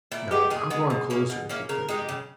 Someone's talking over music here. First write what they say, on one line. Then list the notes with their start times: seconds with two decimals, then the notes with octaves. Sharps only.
"No, I'm going closer," declared Jimmie.
0.12 A#2 E4
0.31 G#3 B3 G4
0.50 A#2 G#4
0.70 G#3 B3
0.90 B2
1.10 A#3 C#4 E4
1.30 B2
1.49 A#3 C#4 E4
1.69 C#3 A#4
1.89 G#3 D#4 G4
2.09 C#3